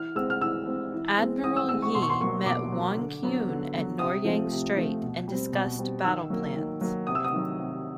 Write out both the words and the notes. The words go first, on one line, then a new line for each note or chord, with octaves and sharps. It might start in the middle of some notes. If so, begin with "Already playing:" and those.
Admiral Yi met Won Kyun at Noryang Strait and discussed battle plans.
Already playing: E3 F6
G#3 C4 E6
F6
E3 E6
G#3 C4
E3
G#3 C4
E3 D#6
E6
G#3 C4 E6
C#6
B2 C6
C#6
C6
F#3 A#3 C#6
B2 D6
F#3 A#3
D3
F#3 B3
D3
F#3 B3
C3 D#6
F3 A3 C4
C3
F3 A3 C4
B2
G3 C4
B2
G3 C4
D#3 E6
F#3 A#3
D#3
F#3 A#3
C3 D#6
E6
D#6
D#3 F#3
C3